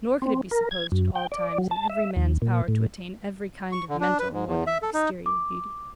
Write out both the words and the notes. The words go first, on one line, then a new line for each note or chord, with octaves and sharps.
Nor could it be supposed, at all times, in every man's power to attain every kind of mental more than of exterior beauty.
C4
A#4
G#6
F#2
G5
D5
F#3
A5
E5
D#2
A#2
A2
C#6
D3
D4
B4
G#2
E2
E5
A4
D#4
D6